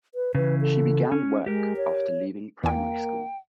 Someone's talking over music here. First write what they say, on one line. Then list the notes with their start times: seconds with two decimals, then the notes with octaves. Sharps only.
She began work after leaving primary school.
0.15 B4
0.35 C#3 E3 B4
0.61 A4
1.12 C#4
1.46 G#3 G4 A#4
1.77 C#5
2.64 E2 A#3 G5 G#5